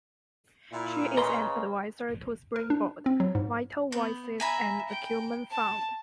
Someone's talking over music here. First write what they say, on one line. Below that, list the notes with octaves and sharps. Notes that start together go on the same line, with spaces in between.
She is an advisor to Springboard, Vital Voices and Acumen Fund.
A#2 E4
C#3 B4 D#5 A#5 C6
A#4
D4
C4
F#3
G#2
B3 G6
E5 G#5 A#5 B5
G5
A5